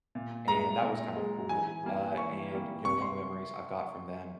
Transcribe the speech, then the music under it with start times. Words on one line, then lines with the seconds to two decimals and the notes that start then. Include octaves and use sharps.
and that was kind of cool. Uh, and, you know, one of the memories I've got from them
0.15 A#2
0.48 G#3 A#5
0.83 A#2
1.16 G#3
1.49 E3 G#5
1.83 G3 A#3
2.17 E3 C#6
2.51 G3 A#3
2.85 C3 C#6
3.02 C6